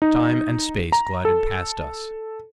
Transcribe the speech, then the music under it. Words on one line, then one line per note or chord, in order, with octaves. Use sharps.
Time and space glided past us.
D#4
A#5
A4